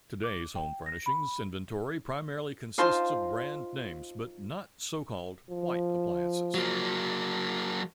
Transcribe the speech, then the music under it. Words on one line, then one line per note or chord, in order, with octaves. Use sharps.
Today's home-furnishings inventory primarily consists of brand names but not so-called white appliances.
D6
G5
A#6
B5
D#4 F4 C5 A5 C6
F3
F#3 A#3